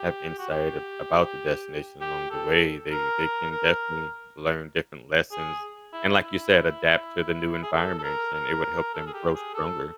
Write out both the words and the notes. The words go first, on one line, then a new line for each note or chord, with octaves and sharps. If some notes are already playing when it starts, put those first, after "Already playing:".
have insight a about the destination along the way. They they can definitely learn different lessons. And like you said, adapt to the new environments, and it would help them grow stronger.
Already playing: G4
F#4
G4
G4
A4
A#4
A#4
G#4
E4
E4
G#4
A4
A4
A#4
A#4
A4
G#4
G4
G#4
A4